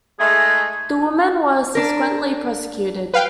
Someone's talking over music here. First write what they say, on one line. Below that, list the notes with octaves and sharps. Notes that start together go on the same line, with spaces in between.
The woman was subsequently prosecuted.
G#3 A3 D#4 G#4
D4 A#4
B4 F5 G5